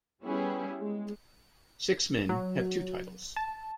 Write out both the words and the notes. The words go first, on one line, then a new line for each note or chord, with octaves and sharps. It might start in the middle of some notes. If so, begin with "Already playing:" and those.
Six men have two titles.
G3 B3 C#4 E4 G4 G#4
G#3
F#3
A5